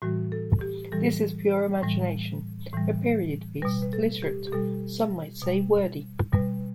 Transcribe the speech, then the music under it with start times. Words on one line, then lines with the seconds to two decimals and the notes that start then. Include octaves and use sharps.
This is pure imagination, a period piece, literate - some might say wordy.
0.02 A2 E3 G3 F#4
0.32 A4
0.61 G4
0.92 A2 E3 G3 A4
1.82 A2 E3 G3
2.73 A2 E3 G3
3.62 B2 G3 B4
3.82 B4
3.93 A4
4.22 G4
4.47 G4
4.53 B2 G3 A4
5.42 B2 G3
6.33 B2 G3 B4